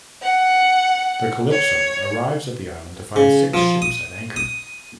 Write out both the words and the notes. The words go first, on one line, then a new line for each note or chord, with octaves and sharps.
The "Calypso" arrives at the island to find six ships at anchor.
F#5
C#5
C#3
F3
D#6
D#6